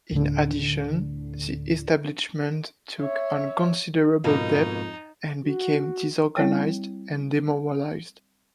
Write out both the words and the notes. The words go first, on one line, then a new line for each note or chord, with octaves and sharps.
In addition, the establishment took on considerable debt and became disorganized and demoralized.
D2 A2 D3
C#5 E5
F2 G#2 B2 A#3 D#4
F#4
G3 C4 E4 C#5 G5